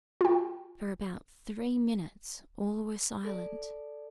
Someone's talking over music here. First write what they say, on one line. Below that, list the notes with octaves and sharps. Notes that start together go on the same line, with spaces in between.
For about three minutes all were silent.
F4 G5
A4 D5